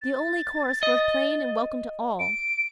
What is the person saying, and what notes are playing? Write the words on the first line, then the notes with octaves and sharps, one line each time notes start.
The only course was plain and welcome to all.
A6
D#5
D7